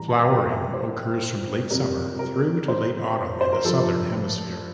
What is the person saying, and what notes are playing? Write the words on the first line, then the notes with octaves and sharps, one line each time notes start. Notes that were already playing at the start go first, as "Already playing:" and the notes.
Flowering occurs from late summer through to late autumn in the southern hemisphere.
Already playing: A2 E3 G3 A#5
A5
F5
G5
E5
C5
F2 C3 G3 A#4
A#4
C5
C5
A#4
G2 F3 A4